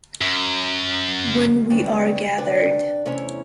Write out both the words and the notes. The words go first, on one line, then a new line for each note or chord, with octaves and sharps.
When We Are Gathered.
F#2
G3 B3 C#4 D4
C3 D4 B4 D5 G5
E2 C3 A3 C#4 E4 C#5